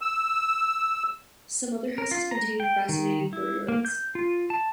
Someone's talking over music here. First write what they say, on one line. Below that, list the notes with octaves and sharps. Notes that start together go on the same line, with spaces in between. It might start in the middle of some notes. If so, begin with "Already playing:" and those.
Some other houses contain fascinating courtyards.
E6
A#4
F4
A#5
G5
D#3
E4
A#3
G6
F4
A5